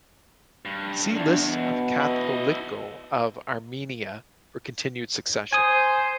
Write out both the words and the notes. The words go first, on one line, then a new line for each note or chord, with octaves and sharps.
See List of Catholicoi of Armenia for continued succession.
G2
E2 D4
B2
E4 D#5
C5 G#5 D#6